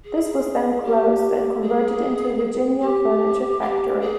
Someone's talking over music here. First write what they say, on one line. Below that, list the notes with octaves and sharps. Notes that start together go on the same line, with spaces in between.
This was then closed and converted into a Virginia furniture factory.
G#4
G4
G#4
G4
G4
G#4